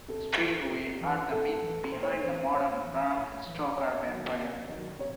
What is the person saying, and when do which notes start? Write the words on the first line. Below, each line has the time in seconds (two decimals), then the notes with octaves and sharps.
Strigoi are the myth behind the modern Bram Stoker vampire.
0.08 C3 A4
0.39 E3
0.70 C3
1.01 E3
1.31 A2 A4
1.61 E3
1.92 A2 C5
2.03 C#5
2.12 C5
2.23 E3 C5
2.54 A2 C#5
2.85 E3
3.16 A2
3.46 E3
3.76 C3 C#5
4.07 D#3 F#3
4.39 C3
4.69 D#3 F#3
4.99 C3 C#5